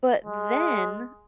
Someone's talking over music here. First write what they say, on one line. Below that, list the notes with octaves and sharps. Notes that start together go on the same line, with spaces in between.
But then
G#3